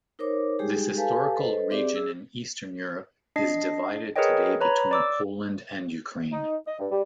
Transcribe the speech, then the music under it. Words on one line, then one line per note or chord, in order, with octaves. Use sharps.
This historical region in Eastern Europe is divided today between Poland and Ukraine.
D#4 A#4 C5 C#5 D6
G3 G#3 D#4 G4 G#4
G4 A4 B4 F5 G#5 A5
A4 B4 C5 D#5
C4 G4 G#4 D5 E5 D6
G#4 E6
D4 D#5 C7
G#4 A#4 B4 C#5 D#5 G5
B4 C#5 A#5 B5
D5 D6 E6
D#4
D#5
G2
G3